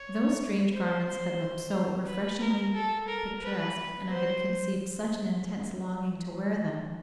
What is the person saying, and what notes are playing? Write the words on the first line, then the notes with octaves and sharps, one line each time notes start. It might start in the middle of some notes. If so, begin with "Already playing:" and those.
Those strange garments had looked so refreshingly picturesque, and I had conceived such an intense longing to wear them!
Already playing: C#5
C5
B4
A#4
A4
A#4
B4
C5